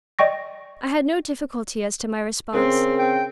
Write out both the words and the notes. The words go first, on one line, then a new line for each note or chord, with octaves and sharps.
I had no difficulty as to my response.
D5 D#5 G5 C#6 A#6
C#3 C4 A#4
G5